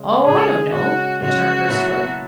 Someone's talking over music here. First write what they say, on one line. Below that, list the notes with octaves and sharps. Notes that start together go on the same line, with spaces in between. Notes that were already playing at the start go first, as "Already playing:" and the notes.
"Oh, I don't know," returned Hurstwood.
Already playing: C#3 G#3 C#4
C#3 G#3 C#4 G#4
C#3 G#3 C#4 F#4
C#3 G#3 C#4 F#4
B2 F#3 A#3 E4